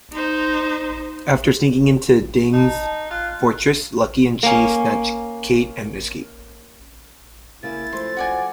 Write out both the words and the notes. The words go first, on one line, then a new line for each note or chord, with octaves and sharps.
After sneaking into Deng's fortress, Lucky and Chi snatch Kate and escape.
D#4 C5
D#4 A5
F4 F#6
A#3 C#4
C#3 A#3 E4 A6
F3 A3 C6
F#4 D5 G#5